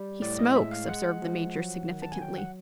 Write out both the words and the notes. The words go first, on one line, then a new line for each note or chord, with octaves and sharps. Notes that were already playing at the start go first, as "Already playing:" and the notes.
"He smokes," observed the Major, significantly.
Already playing: G3
A2 D5
D#5
G#3 E5
F5
G#3 F#5
F3
F#3
D#3
A5
G#5
F#3 G5
F#5